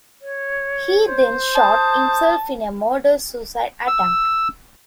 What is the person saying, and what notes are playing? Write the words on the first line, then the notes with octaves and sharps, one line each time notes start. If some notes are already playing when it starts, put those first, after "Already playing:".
He then shot himself in a murder-suicide attempt.
C#5
C5
A5 D#6 G6
E6